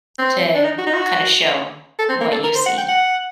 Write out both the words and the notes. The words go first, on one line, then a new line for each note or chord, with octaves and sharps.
to kinda show what you see.
C4
D4
D#4
F#4
D#4
F#4
A4
C4
A#3
A4
A#4
C5
F#5
G5
F#5